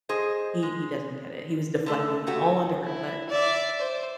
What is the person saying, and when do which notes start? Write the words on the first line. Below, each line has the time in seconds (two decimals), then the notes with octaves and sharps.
He he doesn't get it. He was deflecting it all onto her, but
0.09 G#4 C5 D#5
0.62 G#3
1.86 D3 A3 A4
2.27 A#2 A3 F#4 G4
2.84 E4
3.29 D5 E5
3.80 C5